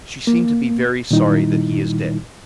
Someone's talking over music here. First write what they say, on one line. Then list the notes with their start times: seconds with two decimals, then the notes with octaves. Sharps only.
"She seems to be very sorry that he is dead."
0.27 A#3
1.11 A#2 D#3 G3 D#4 E4